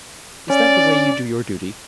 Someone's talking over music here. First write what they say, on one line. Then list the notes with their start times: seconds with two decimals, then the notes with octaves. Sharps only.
Is that the way you do your duty?'
0.50 C#4 D5